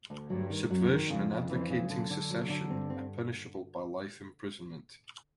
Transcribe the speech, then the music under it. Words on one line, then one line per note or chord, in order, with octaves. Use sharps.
Subversion and advocating secession are punishable by life imprisonment.
D2
G2 F#3
D#3
F#2 F#3
D#3
F2 C#3
C#3
F2 E3
C#3
F#2 D3
D3
F#3
D3
G2 C4
C4